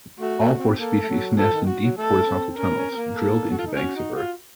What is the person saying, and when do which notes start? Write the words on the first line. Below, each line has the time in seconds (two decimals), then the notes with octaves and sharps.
All four species nest in deep horizontal tunnels drilled into banks of earth.
0.19 A3 F#4
0.40 A3
0.59 C4
0.78 A#3 A4
1.02 A3
1.09 F#3
1.38 F3 A4
1.53 D#3
1.67 F#4
1.83 F#3
1.97 A3 A4
2.27 C4
2.57 C#4 A#4
2.77 C#4
2.91 C4
2.96 A#3
3.16 A4
3.50 F#4
3.58 F4
3.66 D#4
3.75 C#4 F#4
3.96 D#4
4.15 F4